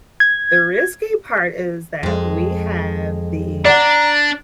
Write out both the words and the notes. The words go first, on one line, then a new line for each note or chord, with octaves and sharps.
the risky part is that we have the
G#6
F2 G#3
D4 D5 F#5 A#5